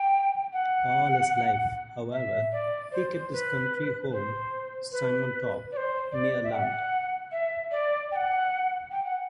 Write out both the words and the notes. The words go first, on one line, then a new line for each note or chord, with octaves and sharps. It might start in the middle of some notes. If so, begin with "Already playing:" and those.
All his life, however, he kept his country home Simontorp, near Lund.
Already playing: G5
F#5
E5
D5
C5
C5
B4
C5
B4
D5
C5
D5
E5
G5
F#5
E5
D5
G5
F#5
G5
F#5